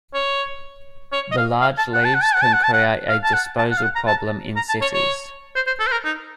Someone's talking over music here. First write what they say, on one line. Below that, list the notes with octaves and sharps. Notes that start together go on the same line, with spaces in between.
The large leaves can create a disposal problem in cities.
C#5
C#5
D#5
F5
F5
A5
F#5
A5
F#5
A5
F#5
A5
F#5
A5
F#5
F5
A5
F#5
A5
F#5
F5
F#5
A#5
A5
A#5
A5
C#5
C#5
C5
C5
A4
C5
A#4
D#4